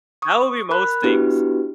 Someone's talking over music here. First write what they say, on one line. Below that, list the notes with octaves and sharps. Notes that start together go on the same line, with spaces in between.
that would be most things.
C#6 D#6
A#4 B5 F#6
B3 D4 E4 F#4 G4 B4